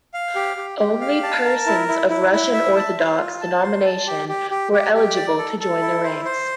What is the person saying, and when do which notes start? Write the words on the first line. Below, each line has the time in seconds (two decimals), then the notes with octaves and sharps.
Only persons of Russian Orthodox denomination were eligible to join the ranks.
0.14 F5
0.35 G4
0.57 G4
0.79 G4
1.01 F5
1.23 A5
1.45 A#4
1.66 E4
1.88 E4
2.10 E4
2.32 E4
2.53 E5
2.76 A5
2.98 C5
3.19 F4
3.41 A5
3.63 C5
3.85 A5
4.07 G4
4.29 G4
4.51 G4
4.73 G4
4.94 G4
5.16 D5
5.38 A4
5.60 A4
5.81 E4
6.04 C5
6.25 C5